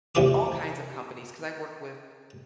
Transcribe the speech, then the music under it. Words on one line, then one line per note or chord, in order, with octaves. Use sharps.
all kinds of companies, 'cause I work with
A1 E2 C3 B3 D5 D#6